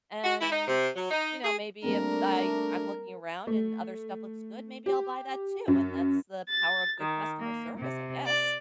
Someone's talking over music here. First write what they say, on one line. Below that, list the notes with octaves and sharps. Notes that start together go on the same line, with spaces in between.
And, you know, maybe if I I'm looking around and other stuff looks good, maybe I'll buy that too and that's the power of good customer service, I guess.
F#4
E4
D#4
C3
F#3
D#4
G#4
G3 A3 A#3 C4 D4 A#4
A3
G4
F#2
A6
D#3
A#3
C3
D5